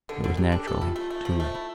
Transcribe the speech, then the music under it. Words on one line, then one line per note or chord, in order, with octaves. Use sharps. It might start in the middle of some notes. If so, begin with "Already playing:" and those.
It was naturally too late.
D3 A4
D3 A4
D3 G4
D4 A4
G4 A4
E4 F4
A3
A3
F3
A3
E4